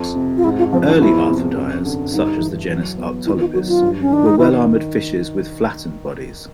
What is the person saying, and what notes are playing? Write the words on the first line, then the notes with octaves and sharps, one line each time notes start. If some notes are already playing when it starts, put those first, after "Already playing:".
Early arthrodires, such as the genus "Arctolepis", were well-armoured fishes with flattened bodies.
Already playing: F2
C3
F4
G#2 E4
F4
F3 C4
D4
E2 E4
C3
F#2
D3
G2 D#4
E3
F#3
B3
D#3 E4
F4
F#3 F#4
F4
G2
C#4
D#3 D4
D#4
D#3 E4